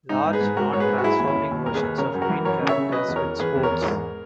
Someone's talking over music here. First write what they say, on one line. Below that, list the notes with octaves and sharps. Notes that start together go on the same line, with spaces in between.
Large, non-transforming versions of main characters with swords.
G#2 D#4
G#2
G#4 B4
G#2
G#2 F#4 A#4
G#2 C#5
G#4 B4
G#2
F#4
F#3 E4 G#4
D#2
C#4 E4
D#2
D#2
D#2 A#4
G#4 B4
D#2
C#3 A#4 C#5
F#2
F#4 A#4
E3
F#2 A#4 C#5
C#3
C#5 E5
C#3
F#3 B4 D#5
E2
A#4 C#5
E2
E2 G#4 B4
E2
A#4 C#5
E2
G#2